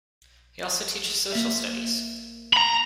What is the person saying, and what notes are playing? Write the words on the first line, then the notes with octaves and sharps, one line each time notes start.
He also teaches social studies.
A#3 E5
A#5 B5